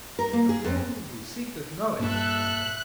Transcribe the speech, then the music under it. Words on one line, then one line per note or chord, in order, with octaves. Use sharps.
A fool who seeketh knowledge from them!
A#4
A#3
G#4
F2
G2 A#2 A4 E5 F#6